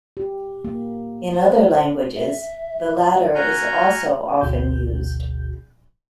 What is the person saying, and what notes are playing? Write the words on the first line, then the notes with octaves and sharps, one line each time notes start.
In other languages, the latter is also often used.
G4
A#3
C5
E5
F#4 F#5 G#5 A#5 F6 G6
G#1 D2 B2 F#4 G#4 G6